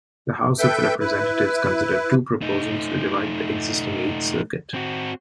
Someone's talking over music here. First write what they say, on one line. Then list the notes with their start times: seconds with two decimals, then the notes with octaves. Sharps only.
The House of Representatives considered two proposals to divide the existing Eighth Circuit.
0.59 A4 B4 E5 G5 G6
1.00 E4 B4
2.42 A3 D#4
4.74 C4 F#4